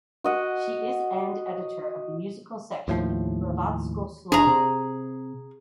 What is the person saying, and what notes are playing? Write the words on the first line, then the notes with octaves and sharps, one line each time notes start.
She is and editor of the musical section in "Hrvatsko slovo".
F#4 D#5 F#5
D#2 A2 F3
F1 D4 G#4 A#5
C3